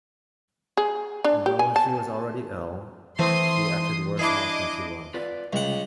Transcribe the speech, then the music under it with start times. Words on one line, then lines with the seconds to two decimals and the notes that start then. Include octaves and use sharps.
Though she was already ill, she acted worse off than she was.
0.77 G#4
1.24 D4
1.46 G4
1.59 G#5
1.76 A5
3.19 E3 A3 C4 C6 D#6 C7
4.19 D4 E4 G#4 D#5 D6
5.14 F4 B4 D5
5.53 C#2 C3 G3 F4 F#5